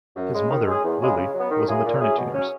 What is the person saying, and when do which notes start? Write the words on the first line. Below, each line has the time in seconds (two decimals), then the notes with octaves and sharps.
His mother, Lily, was a maternity nurse.
0.17 F#2
0.34 C#3 G#3
0.51 D#3
0.67 G#3 C#4 G#4
0.84 E2
1.01 C#3 G#3
1.17 C#3
1.34 F#3 B3
1.51 D#3
1.67 F#3 A#3 E4 G#4
1.84 A#2
2.01 F#3 C#4 E4 G#4
2.18 B2
2.34 F#3 C#4